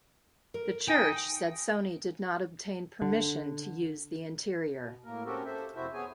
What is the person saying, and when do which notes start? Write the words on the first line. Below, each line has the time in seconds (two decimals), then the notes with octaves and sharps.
The Church said Sony did not obtain permission to use the interior.
0.54 A#4
0.88 D#4 G5 G#5
3.02 D3
4.74 B2
5.04 A2 A#3 A#4
5.25 C4 C#4 F#4 G4 A4 A#4
5.46 A4 C5 E5
5.75 F2 C3 E4 F#4 C5 E5
5.93 B3 G#4 C#5 G#5